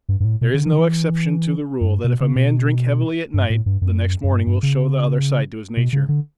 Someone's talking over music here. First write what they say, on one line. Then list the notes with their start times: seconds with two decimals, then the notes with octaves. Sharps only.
There is no exception to the rule that if a man drink heavily at night the next morning will show the other side to his nature.
0.09 G2
0.20 G2
0.25 A2
0.41 B2
0.54 D3
0.66 E3
0.73 D3
0.78 E3
1.81 F#2
1.87 G2
2.04 B2
2.20 C#3
2.36 B2
3.34 G2
3.50 A2
3.66 G2
3.81 F#2
4.24 F#2
4.31 G2
4.47 G2
4.63 C#3
5.77 B2
5.93 C#3
6.09 D3